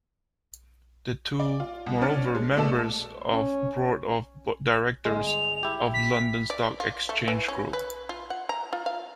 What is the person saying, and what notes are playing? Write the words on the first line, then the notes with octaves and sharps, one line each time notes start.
The two, moreover, members of the Board of Directors of London Stock Exchange Group.
D5
F4
C2
C#4 D4 F6 A6 C#7
G#3
B2 A3 A4 D5 E7
C#4
G1 G#3
F7
E4 G4
B6
D5
F4
A3
E3
C#4
B4
F4
F#5
A#5
F4
F5